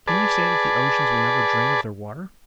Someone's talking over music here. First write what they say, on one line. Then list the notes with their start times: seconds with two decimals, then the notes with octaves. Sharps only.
Can you say that the oceans will never drain of their water?
0.08 G#4 B4 D5 A5